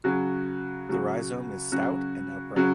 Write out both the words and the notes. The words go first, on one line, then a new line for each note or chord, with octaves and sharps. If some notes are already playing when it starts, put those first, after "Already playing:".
The rhizome is stout and upright.
C#3 F#3 C#4 F#4
C#3 F#3 C#4 F#4
C#3 F#3 C#4 F#4
C#3 F#3 C#4 F#4